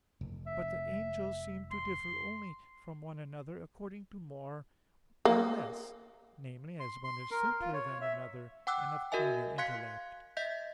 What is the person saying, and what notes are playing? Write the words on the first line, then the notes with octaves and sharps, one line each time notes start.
But the angels seem to differ only from one another according to more and less--namely, as one is simpler than another, and of keener intellect.
F1
E5
C6
A#3
C6
C6
A#4
F4
C#5
E5
F#5 G5 D6 E6 F#6
F#4 A#4 D#5 E5 G#5
F5 C6 F#6 G#6 B6 C#7
D#5 E5 G6 B6